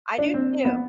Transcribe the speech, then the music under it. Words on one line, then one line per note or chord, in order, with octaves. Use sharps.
I do too.
D4
C4
B3